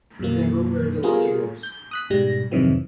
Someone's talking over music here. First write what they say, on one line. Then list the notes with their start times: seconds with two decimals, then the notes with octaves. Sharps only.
They go where the money goes.
0.19 F#2 B2 F#3 A#3
1.03 G3 B3 F4 G#4 A#4
1.63 G6
1.91 D#6 F#6 B6
2.10 G#2 B2 G3 A#6
2.51 F2 G#2 C3 D#3 E3 F#3